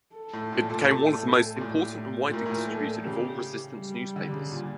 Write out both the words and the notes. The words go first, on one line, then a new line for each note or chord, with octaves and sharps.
It became one of the most important and widely distributed of all Resistance newspapers.
A4
A2
A#2
A#2
A#2
A2
A#2
A2 G4
A#2
A2 A#4
A2
A#2
A4
C#3 G4
G3
D3
C#3
A#2